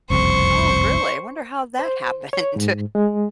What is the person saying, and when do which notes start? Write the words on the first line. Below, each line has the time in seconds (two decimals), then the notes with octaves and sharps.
Oh, really? Wonder how that happened.
0.10 F#1 C2 F2 C5 C#6
1.79 C5
2.33 C#5
2.56 G#2
2.95 G#3